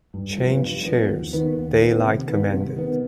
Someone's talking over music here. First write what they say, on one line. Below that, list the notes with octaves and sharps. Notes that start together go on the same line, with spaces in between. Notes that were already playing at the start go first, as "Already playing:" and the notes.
Change chairs, Daylight commanded.
G2
F3 B3
G2
F3 B3
D#2
D#3 B3
D#2
D#3 B3
C3
D#3 B3
C3
D#3 B3